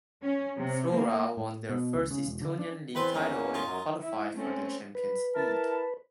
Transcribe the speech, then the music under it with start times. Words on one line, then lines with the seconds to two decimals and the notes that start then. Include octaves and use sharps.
Flora won their first Estonian league title and qualified for the Champions League.
0.22 C#4
0.57 C3
0.94 A#3
1.37 A2
1.69 B2
1.95 C#2
2.11 C#3
2.26 E1
2.42 D3
2.59 D4
2.95 E2 C4 B4 C5 B5
3.14 E2 A#3 C#4 D#4
3.54 D#4 F4
3.67 F#2 F#3
4.00 E4
4.35 A3 C4 C#4
4.95 B4
5.35 E4 A#4 A5